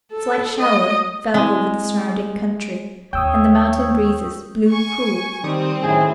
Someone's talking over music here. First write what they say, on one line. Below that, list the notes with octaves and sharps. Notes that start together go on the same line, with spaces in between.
A slight shower fell over the surrounding country, and the mountain breezes blew cool.
A4
D#5
G#3 C4 E4
D#2 D#3 C#5 G5 D#6 E6 G6
G#5 C#6
D#3 G3 C4 D#6
F#2 A2 D#3 G#4